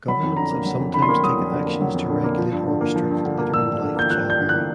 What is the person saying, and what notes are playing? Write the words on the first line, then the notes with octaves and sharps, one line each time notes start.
Governments have sometimes taken actions to regulate or restrict later-in-life childbearing.
F#3 B5
F2
D3 A#5
A#3
F#3
F2
D3 B5
C6
A#3 B5
F#3 D#6
F2
D3
A#3
F#3
F2
D3
A#3
F3
G2
D3
A#3
F3
G2
D3
A#3
F3 E6
G2
D3
A#3 G6
F3 F#6
G2 G6
D3
A#3 F#6